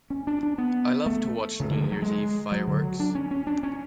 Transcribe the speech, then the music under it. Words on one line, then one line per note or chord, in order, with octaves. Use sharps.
I love to watch New Year's Eve fireworks.
C#4
D4
D4
B3
A3
C#3
D3
F3
F#3
G#3
F#3
D3
F#3
D4
C#4
C#4
D4
C#4